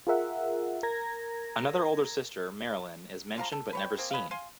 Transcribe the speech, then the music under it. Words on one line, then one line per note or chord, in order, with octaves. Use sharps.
Another older sister, Marilyn, is mentioned but never seen.
F4 G#4 A#4 E5 F#5
A#4 A#5 G#6 A#6
D3 F3 F5 A#5
A4
B4 C#5 G5
A#3 C4 G#4
C#4 B4 D#5 F5
F5 G#5 C6